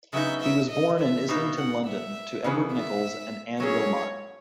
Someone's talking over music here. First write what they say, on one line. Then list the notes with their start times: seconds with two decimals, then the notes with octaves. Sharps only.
He was born in Islington, London to Edward Nichols and Anne Wilmot.
0.13 C#3 F#3 B3 D#4 E5
0.42 E5
0.70 D#5
1.00 E5
1.28 B2 A#3 D#4
1.58 F#5
1.87 E5
2.44 C#3 E3 B3
2.73 E5
3.60 F#3 C#4 G#4 C#5